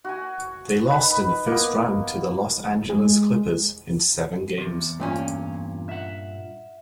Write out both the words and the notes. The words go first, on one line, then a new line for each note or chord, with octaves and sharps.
They lost in the first round to the Los Angeles Clippers in seven games.
F#4 G#5
D#4 B4 B5
A#3 B3
G#3
E2 C3
G2 A#2 C#4
E5 F#5